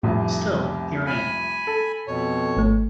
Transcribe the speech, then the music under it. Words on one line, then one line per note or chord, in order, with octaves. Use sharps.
Still, here I am.
F1 C2 F2 A2 G4
G#5 B5
A4
F2 B2 C#5
G#1 A3